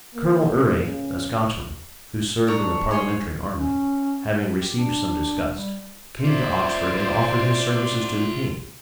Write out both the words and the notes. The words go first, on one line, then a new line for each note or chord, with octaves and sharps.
Colonel Urrey, a Scotchman, who served in the parliamentary army, having received some disgust, came to Oxford and offered his services to the king.
A#3
C#3
D4 C#5 A#5
G#4 C#5 C6
C#4
G4
D4
G3
F4 C5 D5 E5